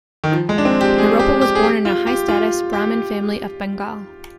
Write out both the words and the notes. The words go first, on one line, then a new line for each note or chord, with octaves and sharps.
Naropa was born in a high status Brahmin family of Bengal.
D#3
F3
G#3
D4
C4
G4
G#4
G4
G4
G#4
G4
F4
G4
F4
G4